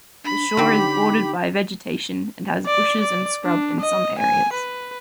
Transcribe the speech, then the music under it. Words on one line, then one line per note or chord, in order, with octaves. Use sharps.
The shore is bordered by vegetation and has bushes and scrub in some areas.
D4 B5
D3 C4 D#4 G4
D5
D5
D4
D#5
G#5
B4